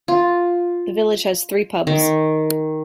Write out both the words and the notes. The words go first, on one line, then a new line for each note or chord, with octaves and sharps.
The village has three pubs.
F4
D#3